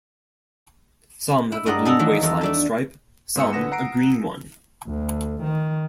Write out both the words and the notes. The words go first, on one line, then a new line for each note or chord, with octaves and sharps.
Some have a blue waistline stripe, some a green one.
E4
G2 G#3 A#4 D5 D#5 F#5
G#4 A4 F#5 A#5
D#3 E3 F#3 A#3
E2 A4 A#4
A3 D4 A4
G#2 B3 D#6 E6 C#7
D3 B4 F#5 A#6 E7
F#5 A#5 C7 D7
D2
D#3